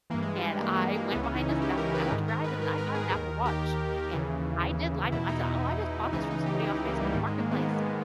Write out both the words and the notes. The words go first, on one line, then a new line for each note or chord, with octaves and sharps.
and I went behind his back and I went to Verizon and I got an Apple Watch, and I did lie to him. I said, "Oh, I just bought this from somebody off Facebook Marketplace."
G2 E3 A#3
G#3
G3
G#3
A#3
G#3
A#3
C#2 C#3 E3 B3
C#4
D#4
E4
G4
A#4
B4
G#2 D#3
A#4
B4
A#4
A#4
G#4
D#2 D#3 A#4
G4
D#2 C#3 E3
E2 B2 E4
D#4
C#2 C#3 E3 D#4
D#4
G4
E4
D#4
A#3
G3
G#2 D#3 G3
G#3
A#3
B3
A#3
G#3